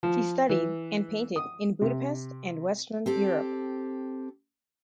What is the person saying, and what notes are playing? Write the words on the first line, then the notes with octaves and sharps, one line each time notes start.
He studied and painted in Budapest and Western Europe.
F3
E3
D#6
C3
C4 G4 A4